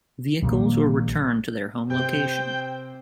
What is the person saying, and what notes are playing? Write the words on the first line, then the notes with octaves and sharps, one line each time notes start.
Vehicles were returned to their home location.
A#1 D#3 G3 A#3
C3 C5 G5